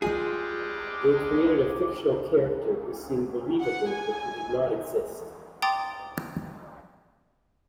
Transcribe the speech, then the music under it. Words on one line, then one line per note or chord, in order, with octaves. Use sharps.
They created a fictional character-who seemed believable, but who did not exist.
G3 G#3 F4 G#4 G5
D6
F#5
G#5
G5 A#5 C6 D6 D#6 A6